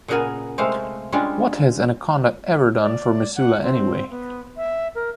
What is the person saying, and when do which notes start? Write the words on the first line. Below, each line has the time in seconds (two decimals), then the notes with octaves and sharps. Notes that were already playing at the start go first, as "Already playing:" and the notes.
What has Anaconda ever done for Missoula, anyway?
0.08 A#2 C#3 B3 G#4 A#4 G#5
0.58 C3 G#3 A3 C5 F5
1.12 G3 G#3 C#4 D4 F4 C#5
2.80 D5
3.35 F#5
3.63 C4
4.10 B3
4.57 E5
4.95 A#4